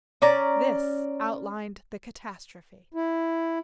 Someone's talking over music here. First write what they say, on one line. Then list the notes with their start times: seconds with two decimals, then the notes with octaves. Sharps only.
This outlined the catastrophe.
0.22 C#4 D5 A#5
2.94 E4